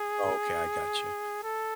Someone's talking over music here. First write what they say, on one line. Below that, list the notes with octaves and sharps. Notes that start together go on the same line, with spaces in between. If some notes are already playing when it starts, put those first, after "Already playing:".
Okay, I gotcha,
Already playing: G#4
A4